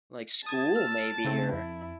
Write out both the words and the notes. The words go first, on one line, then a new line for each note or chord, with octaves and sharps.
Like, school maybe or
A5 D#6 G#6
E6 F6 E7
C#3 A3 C4
F2 E4